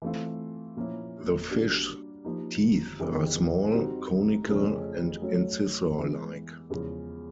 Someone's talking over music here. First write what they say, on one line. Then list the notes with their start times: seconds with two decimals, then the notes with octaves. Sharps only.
The fish's teeth are small, conical, and incisor-like.
0.02 E3 A3 C4 F4
0.76 A#2 F3 A#3 C#4 E4
1.51 G3 A#3 D4 F#4
2.25 F3 A#3 D#4 G4
2.99 F2 C#3 E3 G3 B3
3.73 G3 C4 D#4 F#4
4.47 F2 C#3 F3 A3 C#4
5.22 F#3 A3 C#4
5.97 E3 G#3 B3
6.70 E2 C#3 F3 G#3